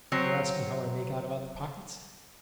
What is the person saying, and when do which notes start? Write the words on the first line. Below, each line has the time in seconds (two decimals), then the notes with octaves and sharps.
You'll ask me how I make out about the pockets?
0.12 F#3 C4 C#5